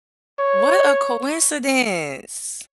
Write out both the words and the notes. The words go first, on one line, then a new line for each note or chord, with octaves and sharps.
What a coincidence.
C#5